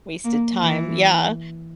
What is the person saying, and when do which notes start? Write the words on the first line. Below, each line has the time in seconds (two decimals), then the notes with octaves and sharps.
wasted time yeah
0.24 A#3
0.60 E3